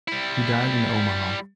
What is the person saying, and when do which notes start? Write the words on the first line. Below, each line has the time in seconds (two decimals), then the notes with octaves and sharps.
He died in Omaha.
0.08 G3 E4